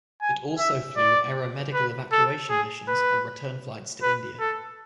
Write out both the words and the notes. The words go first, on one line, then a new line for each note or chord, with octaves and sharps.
It also flew aeromedical evacuation missions on return flights to India.
G#5
E5
D5
B4
A4
G#4
B4
B4
A4